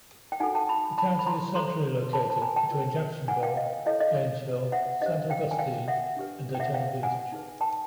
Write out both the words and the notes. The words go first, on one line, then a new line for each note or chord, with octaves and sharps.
The county is centrally located between Jacksonville, Gainesville, Saint Augustine, and Daytona Beach.
G5
D#4 F#4 A4 F#5 G#5
G5 A5
A5 B5
A5 B5
B5
A#5 C6
F4 A4 C5 A#5 C6
A5 B5
A5
G#5 A#5
G5 A5
F4 A#4 C#5
F#5 G#5
F5 G5
D#5 F5
E4 A4 C#5 D#5 F5
D#5 F5
E5 F#5
D4 G4 C5 D#5 F5
F5 G5
G#5
F5 G5
E5 F#5
D4 G4 B4
G5
E5 F#5
F5 G5
F#5 G#5
D#4 G#4 B4
G5 A5